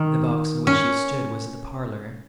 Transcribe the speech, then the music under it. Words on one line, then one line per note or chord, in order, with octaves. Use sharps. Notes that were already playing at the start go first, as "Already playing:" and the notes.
The box in which you stood was the parlor.
Already playing: D#3
C#4